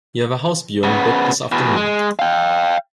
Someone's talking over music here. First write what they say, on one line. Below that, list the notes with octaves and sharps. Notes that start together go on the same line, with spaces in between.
You have a house viewing booked this afternoon.
C#3 B3
E2 B2
G#3
F5 G5